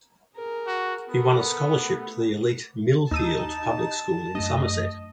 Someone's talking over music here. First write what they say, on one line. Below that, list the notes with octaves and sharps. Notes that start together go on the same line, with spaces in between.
He won a scholarship to the elite Millfield Public School in Somerset.
G#4 A#4
F#4
B3 A4 A#4
A3
D#2 D#4 A5 E6 D#7
F#2 A3 D4 D#5